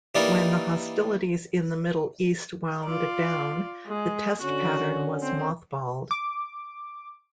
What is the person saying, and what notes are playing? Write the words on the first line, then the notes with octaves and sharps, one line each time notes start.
When the hostilities in the Middle East wound down, the test pattern was mothballed.
E3 G3 A#3 D4 D#4 A#4
F4 D5
G#3
D3 C#4 F#4
C4
D6